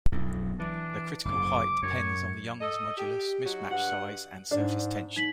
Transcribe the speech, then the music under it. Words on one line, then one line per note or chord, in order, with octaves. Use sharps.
The critical height depends on the Young's modulus, mismatch size, and surface tension.
B1 F2
E3 D4
F#1 G#2 D6
F#2 C#5
A4 D#5
G4
F#3 D#4 F#4
G2 F#5
G#2 D4
D#4 B6 F#7